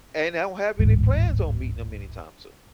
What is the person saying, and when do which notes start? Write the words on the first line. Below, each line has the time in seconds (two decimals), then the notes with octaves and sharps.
and I don't have any plans on meeting ‘em anytime soon.
0.79 D1 A1 G#2